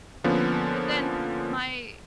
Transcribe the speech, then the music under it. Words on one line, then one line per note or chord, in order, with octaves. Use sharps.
but then my
D3 F3 A#3 B3 C#4